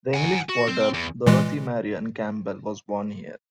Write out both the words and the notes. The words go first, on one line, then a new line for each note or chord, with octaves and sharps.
The English potter, Dorothy Marion Campbell was born here.
F#5 G#5
F#4
C4
E2
A#2 E3 G#3